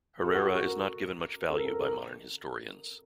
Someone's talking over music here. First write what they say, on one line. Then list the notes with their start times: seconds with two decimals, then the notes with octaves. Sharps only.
Herrera is not given much value by modern historians.
0.24 A4
0.35 F#4
0.45 F#4
0.55 F#4
0.66 A#4
1.50 A4
1.57 A#4
1.65 A4
1.73 A#4
1.80 A4
1.87 A#4